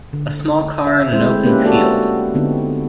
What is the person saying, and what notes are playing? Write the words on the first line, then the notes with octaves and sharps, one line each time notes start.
A small car in an open field.
D3
E5
G#3 A3 C4 E4 C5
G#3 A#3 C#4 D4 G4 B4
F#4 G4 A4 D5 E5
D3 B3 C4 D#4